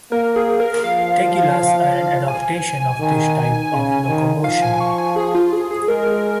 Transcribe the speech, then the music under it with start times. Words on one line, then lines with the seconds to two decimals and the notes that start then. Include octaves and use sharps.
Tegulaes are an adaptation of this type of locomotion.
0.12 A#3 A#4
0.36 G#4
0.60 A#4
0.84 F3 F5
2.28 G#5
3.01 D#3
3.72 C#3
4.08 D#3
4.44 F3 F5
4.62 G#5
4.80 C#6
4.98 G#5
5.16 G#4
5.35 F4
5.53 G#4
5.71 G#4
5.88 G#3 A#4